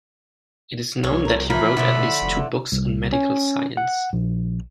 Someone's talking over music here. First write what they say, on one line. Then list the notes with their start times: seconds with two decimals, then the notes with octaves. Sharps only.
It is known that he wrote at least two books on medical science.
1.04 C2 C#5
1.25 F3 A4 A#4
1.50 E3 F3 F4 A#4 B5
1.77 B2 D3 F3 A3 E4 C#5
2.22 F1
2.72 C2
3.13 C#4
3.77 F#5
4.13 A#1